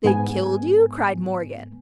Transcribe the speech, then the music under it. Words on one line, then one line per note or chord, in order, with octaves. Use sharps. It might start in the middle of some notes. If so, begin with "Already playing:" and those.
"They killed you?" cried Morgan.
G#2 B3 G#5